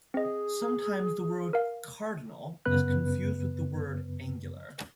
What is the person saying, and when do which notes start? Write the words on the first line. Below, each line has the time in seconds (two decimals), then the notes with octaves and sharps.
Sometimes the word "cardinal" is confused with the word "angular".
0.14 C4 G#4 D#5
1.53 A#4 F5
2.66 F#2 C#3 B3 B4 F#6